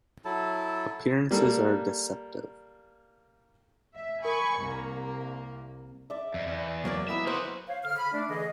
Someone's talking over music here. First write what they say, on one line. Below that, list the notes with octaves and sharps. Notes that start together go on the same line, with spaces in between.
Appearances are deceptive.
F#3 E4 A4 A5
G3 A#3 A4
E5
A#4 G#5 B5 C#6
C2 A#3
D5 E5
F2
E2
F#3 A#3 D5
E3 B3 A#4 E5
A#3 F#4 C5
C5 C#5 F5
D3 F6
B5
A3 D4
D3 E3 G#4 D#5